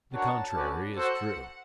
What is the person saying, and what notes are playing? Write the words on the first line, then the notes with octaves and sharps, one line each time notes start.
The contrary is true.
D4 F#4 A#4 C#5 F#5 A5
C#4 F#4 B4 D5
F#4 A4 C5 F#5